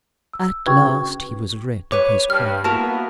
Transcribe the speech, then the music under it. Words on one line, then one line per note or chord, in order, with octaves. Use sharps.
At last he was rid of his crime.
E6
C#3 F#4 B4 G5 C#6 G#6
B4 C#5 D6
G2 F6
A#3 B3 E4 F#4 A#4 A5